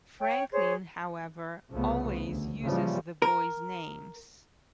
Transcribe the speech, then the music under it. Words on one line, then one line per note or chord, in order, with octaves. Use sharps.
Franklin, however, always uses the boys' names.
C#5 G5
G#4 C5 C#5
C2 C#3 F3 A3 B3
D2
C#3 E3 F3 G3 A#3
A#4